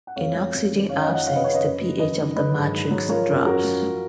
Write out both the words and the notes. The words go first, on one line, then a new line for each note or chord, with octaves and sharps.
In oxygen absence, the pH of the matrix drops.
F#5
F2 C#5 F5
F#3
F2
D#3
F#2 C#5 F5
D#5 F#5
F3
D#5 F#5
F#2 C#5 F5
B4 D#5
C#3 C#5 F5
B4 D#5
F#2
F#3
F#2 B4 D#5
D#3
F#3 B4 D#5
G#2
G#2
F#3
F3 A#4 C#5
F#2
F#2 F#4 A#4
F3
F3